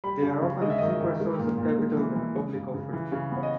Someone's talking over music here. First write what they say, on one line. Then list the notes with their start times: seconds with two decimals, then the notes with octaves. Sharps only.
They are often a cheaper source of capital than a public offering.
0.04 G3 B5
0.22 C#3
0.42 C#3
0.61 G#3 D#5
0.70 E5
0.78 D#5
0.81 D#3
0.90 D#5
1.01 D#3
1.20 G#3
1.39 A#2
1.58 A#2
1.78 G#3
1.97 E3
2.16 E3
2.35 G#3
2.55 C#3
2.74 C#3
2.93 E3
3.12 C#3
3.32 B3 C#5
3.43 D#5